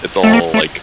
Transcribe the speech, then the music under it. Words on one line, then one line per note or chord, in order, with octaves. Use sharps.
It's all, like,
A3
A#3
A3